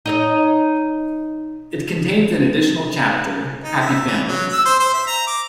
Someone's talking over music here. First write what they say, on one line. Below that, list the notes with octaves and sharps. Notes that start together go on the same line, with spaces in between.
It contains an additional chapter, "Happy Families".
D#4 C#5 D#5
D#4
E5
E3
F#3
E6
C5
C5
E5
A#5
D6